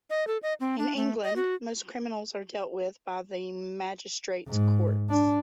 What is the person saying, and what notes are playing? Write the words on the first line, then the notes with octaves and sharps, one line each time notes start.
In England, most criminals are dealt with by the Magistrates’ Courts.
D#5
A4
D#5
C4
D4
A3
D#5
F#4
G#2
D4